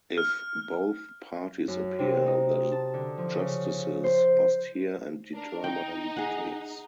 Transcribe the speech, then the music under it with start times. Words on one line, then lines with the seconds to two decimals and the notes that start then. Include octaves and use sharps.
If both parties appear, the justices must hear and determine the case.
0.18 F6
1.68 F#2
1.99 C3
2.26 D#4
2.72 A5
2.94 D3
3.17 F3
3.35 C#3
4.04 C5
5.34 D4 A#4
5.64 D#4 G5
6.17 G#4 F#5